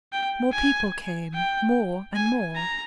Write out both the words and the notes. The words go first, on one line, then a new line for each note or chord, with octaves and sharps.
More people came--more and more.
G5
G#5
G5
G#5
A#5